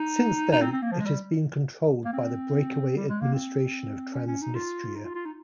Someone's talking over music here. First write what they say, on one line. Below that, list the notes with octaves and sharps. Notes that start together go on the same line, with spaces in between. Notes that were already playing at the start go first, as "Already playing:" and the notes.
Since then, it has been controlled by the breakaway administration of Transnistria.
Already playing: D#4
D#4
C4
C4
A#3
F3
G#3
G3
A#3
C4
G3
G#3
A#3
C4
C#4
C#4
D#4
F4
D#4
F4
F4
D#4